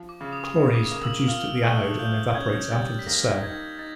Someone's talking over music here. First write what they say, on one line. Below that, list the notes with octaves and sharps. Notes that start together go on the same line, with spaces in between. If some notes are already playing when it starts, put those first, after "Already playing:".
Chlorine is produced at the anode and evaporates out of the cell.
Already playing: F3
D6
C#3
D#6
C#3
D6
D#6
A#3
E6
F4 F6
A3 F#6
F4 G6
C#4 G#6
G3 A6
B6
A#3 A#6
D#4 G#6
D#4 A6